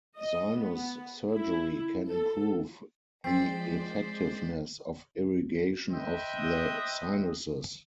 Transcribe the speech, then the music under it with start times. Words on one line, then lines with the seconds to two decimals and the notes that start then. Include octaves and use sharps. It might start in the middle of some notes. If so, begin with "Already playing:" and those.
Sinus surgery can improve the effectiveness of irrigation of the sinuses.
0.17 D#5
0.57 B3
1.31 E4
2.09 A4
3.24 F3 G#3 C4 C5 D5 A6 B6 C7
5.91 B4 C5 D#5 E5 G5